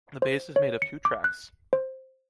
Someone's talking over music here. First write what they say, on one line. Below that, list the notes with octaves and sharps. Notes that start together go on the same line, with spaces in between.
The base is made of two tracks.
C5
C#5
C#7
D6
F#6
C5